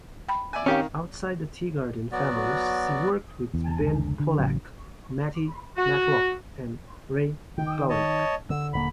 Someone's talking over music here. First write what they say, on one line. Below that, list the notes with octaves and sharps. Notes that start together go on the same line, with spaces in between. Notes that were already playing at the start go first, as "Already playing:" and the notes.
Outside the Teagarden family, she worked with Ben Pollack, Matty Matlock, and Ray Bauduc.
G5 B5
D5 E5 G#5
D#3 C4 C#4 G4 F5
F#3 B3 F#4 D5
E2
F1 C#2 D3
D3
A1 C#3 F#3
F#4
D#3 G5
C#5 D#5 A5
D3 E6
D#1 D3 A#3 B5